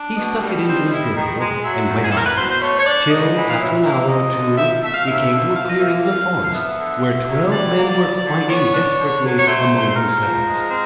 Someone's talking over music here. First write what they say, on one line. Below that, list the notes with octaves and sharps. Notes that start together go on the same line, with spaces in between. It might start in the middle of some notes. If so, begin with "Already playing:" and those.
He stuck it into his girdle, and went on, till after an hour or two he came to a clearing in the forest, where twelve men were fighting desperately among themselves.
Already playing: D4
B2 D#5
G3
C4
E4
D#3
G#3
F#3 E5
E2
G#4
A4
E2 A#4
B4
B2 C5
C5
A3 C#5
C#5
D4 D5
G#2 D#5
E3
F5
F#3 E5
A#3
D#2 D#5
D3
F3 E5
A3 E5
F5
D#2 E5
D3
F3 F5
D#5
A#3 E5
F2 F5
D3
F5
B3 E5
D3
D3
F#3
G3 D5
A#3
D#2
D3
B3 C#5
D4
D3
F#3
C#5
A3 C5
G#2
G#2 A#4
F3
G#3
C4